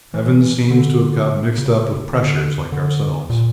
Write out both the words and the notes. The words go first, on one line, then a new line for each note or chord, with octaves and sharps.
Evans seems to have got mixed up with pressures like ourselves.
E3
D3
C#3
D3
D3
A#2